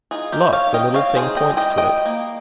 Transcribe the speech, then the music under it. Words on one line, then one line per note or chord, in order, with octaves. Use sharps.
"Look, the little thing points to it."
D#4 F4 G#4
G4 A#4
G3
C#5 F5
D#3
D#5 G5
C4 C#5 F5
G#4 C5
D#4
D#5 G5
G3
D#5 G5
G3 D#5 G5
A#3